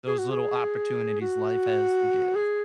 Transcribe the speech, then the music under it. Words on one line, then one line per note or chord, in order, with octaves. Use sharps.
those little opportunities life has to give.
G#4
F#4
G#4
F#4
G#4